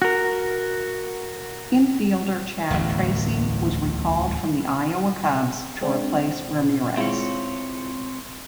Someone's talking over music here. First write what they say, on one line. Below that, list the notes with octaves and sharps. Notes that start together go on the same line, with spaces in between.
Infielder Chad Tracy was recalled from the Iowa Cubs to replace Ramirez.
F#4 A#4
D1 A1 E2
G#3 C4 D4
G#3 C4 E4 F4 C#5